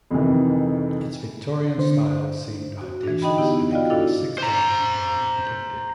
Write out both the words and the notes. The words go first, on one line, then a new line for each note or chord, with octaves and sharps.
Its Victorian style seemed audacious and it cost six times more than predicted.
F2 C3 D#3 E3
D3 C5
F#4
E3 D4
D3 D#4 D#5 G5 B5
B3 E4 G4
F4 F#4 D5 D#5 F5 G5
D4 E4 A4
C5 A#5